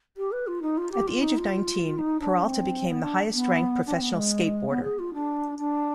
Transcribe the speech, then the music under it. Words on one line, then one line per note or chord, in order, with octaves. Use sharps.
At the age of nineteen, Peralta became the highest-ranked professional skateboarder.
G4
B4
F4
D#4
F4
G4
F4
D#4
F4
D#4
D4
C4
B3
D4
B3
D4
C4
B3
G#3
B3
G#4
F4
D4
D4